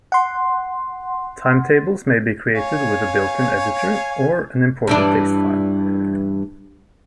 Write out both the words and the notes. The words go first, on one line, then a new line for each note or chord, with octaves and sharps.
Timetables may be created with the built-in editor or an imported text file.
F#5 C6
C#5 F5 G#5
G2 E3 D4